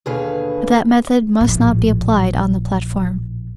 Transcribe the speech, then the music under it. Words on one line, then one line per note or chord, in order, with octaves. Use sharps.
But that method must not be applied on the platform!
D#2 B2 D3 G#4 B4 F5
A#1 A2